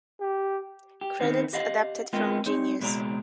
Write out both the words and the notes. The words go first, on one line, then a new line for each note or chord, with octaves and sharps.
Credits adapted from Genius.
G4
G4
D#3 B3 C4
G4 D#5 F5 F#5
G#3 B3 C4 F4 A#4 G5
C4 D#4 C#5
C#2 B2 G#3 D5 A#5